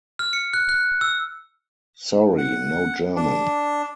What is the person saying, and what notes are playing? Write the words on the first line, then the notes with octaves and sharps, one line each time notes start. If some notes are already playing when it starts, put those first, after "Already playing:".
Sorry, No German!
F6
C#7
F#6
F#6
E6
F#5
D4